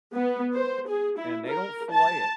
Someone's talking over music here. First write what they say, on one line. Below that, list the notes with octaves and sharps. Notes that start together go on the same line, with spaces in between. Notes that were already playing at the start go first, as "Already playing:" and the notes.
and they don't fillet it.
B3
C5
G#4
E4
A#4
A5